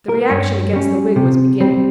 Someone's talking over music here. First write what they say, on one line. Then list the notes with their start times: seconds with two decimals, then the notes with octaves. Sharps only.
The reaction against the wig was beginning.
0.09 A#4
0.30 G2 C#5
0.73 G3 C#4
1.16 C3
1.60 G3 C4